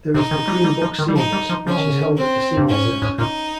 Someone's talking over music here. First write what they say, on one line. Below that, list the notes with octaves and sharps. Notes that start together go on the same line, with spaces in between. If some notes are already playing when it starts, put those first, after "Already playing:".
There is the Green Brook Seniors, which is held at the Senior Center.
C3 D#4
D#3
G3
G3
F3
D#3
G3
F3 D#4
G3
F3
F3 C#4
D#3
C#3
D#3
C4
G2
G#2 C#4
A#2
G#2
A#2 D#4